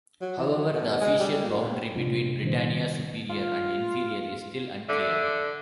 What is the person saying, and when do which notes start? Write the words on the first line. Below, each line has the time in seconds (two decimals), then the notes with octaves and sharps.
However, the official boundary between Britannia Superior and Inferior is still unclear.
0.21 F#3
0.38 E3
0.55 F#3
0.74 B2
1.01 G#3
1.19 G3
1.43 A#2
1.61 B2
1.96 C3 C4 D4 F4
2.43 A#2 D#3 G3 C#4 D#4 C5
3.30 F4
4.89 D3 E5